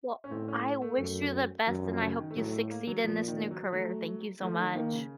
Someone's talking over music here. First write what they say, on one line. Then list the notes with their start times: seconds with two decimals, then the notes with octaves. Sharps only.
Well, I wish you the best and I hope you succeed in this new career, thank you so much.
0.24 C#4
0.31 A2 C4
0.48 C#4
0.82 A3
0.99 F#2
1.67 F#2 F#3
1.84 F3
2.01 C#3
2.19 D#3
2.31 A3
2.36 A2 F#3
2.52 A3
2.71 A#3
2.87 F#3
3.04 A#2 F3
3.28 D#3
3.51 F#3
3.72 F#3 A3
4.41 F3 A3
4.59 D#3
4.75 D#3 A#3
4.92 C#3